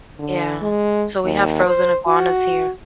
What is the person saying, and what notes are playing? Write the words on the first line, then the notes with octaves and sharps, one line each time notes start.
Yeah, so we have frozen iguanas here.
D3
G#3
D#2
C5
F#4